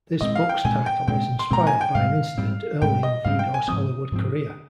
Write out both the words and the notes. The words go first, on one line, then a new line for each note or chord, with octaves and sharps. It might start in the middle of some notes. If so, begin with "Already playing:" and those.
This book's title is inspired by an incident early in Vidor's Hollywood career.
A#2 G#3 C4 D#5
F5
G5
A#2 G#3 C4 G#5
G5
A#2 G#3 C4 G5
C6
A#2 G#3 C4 A#5
G#5
G5
G#2 G3 C4 F5
G#2 G3 C4
G#2 G3 C4 G5
D#5
G#2 G3 C4 F5
G5
G#5
G#2 F3 C4 D#6
G#2 F3 C4